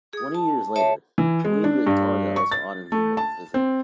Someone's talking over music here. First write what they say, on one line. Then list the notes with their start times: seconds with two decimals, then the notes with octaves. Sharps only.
Twenty years later, Queen Victoria also honoured him with a visit.
0.13 G#4 D#6
0.35 A5
0.76 C#5 E5 A5
1.18 E3
1.45 G#3
1.64 D4
1.87 G2
2.36 C#6
2.52 A6
2.92 A3
3.17 A5
3.54 C4